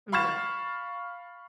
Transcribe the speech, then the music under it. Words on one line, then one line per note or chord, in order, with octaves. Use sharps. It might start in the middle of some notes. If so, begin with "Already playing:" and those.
Mm, yeah.
F5 B5 C#6 F6 A6 E7